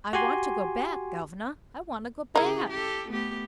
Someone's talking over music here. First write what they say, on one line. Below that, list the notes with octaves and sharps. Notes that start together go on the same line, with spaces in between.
I want to go back, governor--I want to go back!'
F#4 G4 G#5 C6
C#3 E4 G#4 A#4
G4 A4
A3 B3 G4